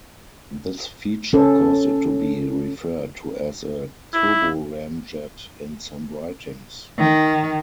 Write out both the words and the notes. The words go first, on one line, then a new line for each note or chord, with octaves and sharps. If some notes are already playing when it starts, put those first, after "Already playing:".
This feature caused it to be referred to as a turboramjet in some writings.
C#4 A4
E4
D#3